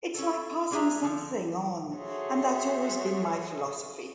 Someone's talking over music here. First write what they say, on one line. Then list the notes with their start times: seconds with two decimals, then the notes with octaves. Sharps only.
It's like passing something on and that's always been my philosophy.
0.14 C#4 A4
0.71 G3 A#3 D4 G#4 E5 A#5
1.02 D3 F3
1.96 F#4 G#4 A4 C5 C#5 E5